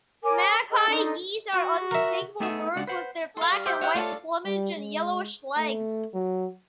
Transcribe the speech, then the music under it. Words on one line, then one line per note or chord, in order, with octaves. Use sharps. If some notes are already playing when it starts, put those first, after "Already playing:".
Magpie geese are unmistakable birds with their black and white plumage and yellowish legs.
A#4 C#5 G#5 D6
G#4 D#5 G5 E6
D4 D#4 A4 C6
F#4
A#4 E5
A3 B3 D#4 G#4 A4 E5
C#2 G#3 D4 F4 F#5
B4 C5 F#5
A4 F5 C6
G3
G4 C5 E5 G5 D6 F6
E4 C#5 F#5 G5
A3 F4 A4 C#5 D5 F5 A5
G3
G#3
A3
F#3